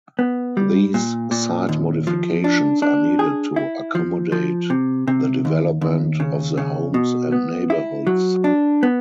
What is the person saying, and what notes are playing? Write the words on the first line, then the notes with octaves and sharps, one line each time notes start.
These site modifications are needed to accommodate the development of the homes and neighborhoods.
B3
G3
A#2
A#2
D#2
F3
D4
D4
G#4
E4
F3
F3
C3
C3
D#2
D#2
C#3
C#3
B2
B3
E4
F#3
D4
B3